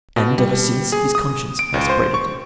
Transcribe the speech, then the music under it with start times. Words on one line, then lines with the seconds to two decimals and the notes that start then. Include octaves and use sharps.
And ever since his conscience has upbraided him.
0.16 B2
0.38 G3
0.92 G#4
1.15 D#6
1.59 D7
1.74 C#2
1.89 C5
2.14 C#6